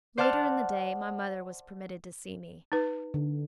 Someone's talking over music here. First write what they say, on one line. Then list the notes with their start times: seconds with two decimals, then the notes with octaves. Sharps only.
Later in the day, my mother was permitted to see me.
0.18 C5 D5 F#5 A5 F6
2.72 D#4 B4
3.14 D3